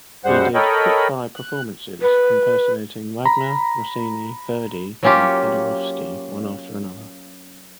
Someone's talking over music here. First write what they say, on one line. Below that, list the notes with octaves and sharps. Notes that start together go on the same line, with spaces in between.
He did quick-fire performances, impersonating Wagner, Rossini, Verdi and Paderewski one after another.
F#2 G3 G#3 C5 F#5
A4 A#4 C#5 D#5 G5 B5
F#6
B4
A#5 B5
F#3 A#3 C#4 F4 G4